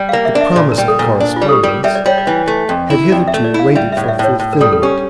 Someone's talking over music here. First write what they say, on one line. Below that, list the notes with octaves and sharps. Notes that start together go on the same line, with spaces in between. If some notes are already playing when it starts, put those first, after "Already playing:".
The promise of correspondence had hitherto waited for fulfilment.
Already playing: G3
A#3 F5
E5
D4
E5
A#2 D5
A#4
G3
A4
A#2
A#4
D4
F4
G3
A4
G4
G3
A#4
G3 E5
D5
G3 C#5
D5
E3
A3
F2
E4
F2 D5
E5
A3
D5
E4
F5
G3 E5
A2 E5
D5
E5
A2 C#5
A2
A#4
G3 A4
A4
C#4 G4